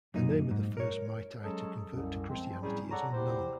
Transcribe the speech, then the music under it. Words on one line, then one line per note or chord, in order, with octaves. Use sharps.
The name of the first Meitei to convert to Christianity is unknown.
F#2 A#2 D#4
G#2
A#4 C#5
F#3 G#3 C#4 G#4 A4
C2 F#2
F3 G#3 C4
A2 F#3 G3 C#4 G#4
A4 C#5 D5 F#5 A#5
E2 C3 E4 G4 C5